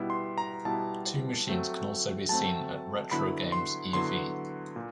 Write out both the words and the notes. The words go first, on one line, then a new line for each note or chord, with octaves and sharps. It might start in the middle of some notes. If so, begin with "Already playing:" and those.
Two machines can also be seen at RetroGames e.V.
Already playing: B2 G3 B3 E4
C6
A#5
B2 G3 B3 E4 A5
F#3 A3 C4
F#3 A3 C4 A5
D3 F#3 B3 E4 B5
C6
D3 F#3 B3 E4 C6
A#2